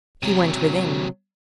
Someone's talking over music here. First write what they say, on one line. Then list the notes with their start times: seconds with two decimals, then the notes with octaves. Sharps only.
He went within.
0.23 C3 F#3